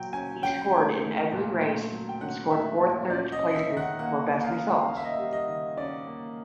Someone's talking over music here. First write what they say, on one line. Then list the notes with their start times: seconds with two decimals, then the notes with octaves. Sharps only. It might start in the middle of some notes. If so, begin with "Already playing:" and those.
He scored in every race and scored four third places for best results.
Already playing: A#2 F#3 G5
0.13 C#4 G#5
0.42 C#4 G5
0.72 A3
1.02 A3
1.32 A#2
1.61 A3
1.92 F#3
2.09 G5
2.20 C#4 F#5
2.50 A3 E5
2.81 A#2
3.10 C#4 D5
3.32 D#5
3.39 C#4
3.55 E5
3.70 D#3
3.77 F#5
3.99 A#3 F#5
4.29 A#3
4.44 F5
4.58 A#3
4.88 A#3 F5
4.96 E5
5.04 D#5
5.13 E5
5.18 G3
5.33 D#5
5.48 D#3
5.77 C#4 D5
6.07 A#3